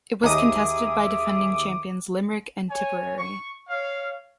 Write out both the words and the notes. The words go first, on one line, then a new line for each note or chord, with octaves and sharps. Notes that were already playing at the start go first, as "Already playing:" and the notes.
It was contested by defending champions Limerick and Tipperary.
D#2 G#4 D#5 E5 A#5 D6 D#6
C#5 G#5
C#6
C#5 F5